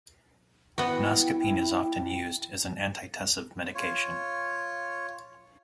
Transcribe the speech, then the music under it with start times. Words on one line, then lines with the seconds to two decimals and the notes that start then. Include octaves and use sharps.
Noscapine is often used as an antitussive medication.
0.78 B3 E4 F#4 G5
3.75 F4 C#5